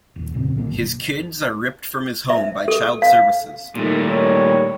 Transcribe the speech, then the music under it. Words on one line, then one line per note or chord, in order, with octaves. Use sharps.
His kids are ripped from his home by Child Services.
D#1 D#2
F1 A#2 C#3 C4
C2 D3 F#3 A#3
F#1 B1
E5
A4
F5
A#2 D#3 G3 A3
C#5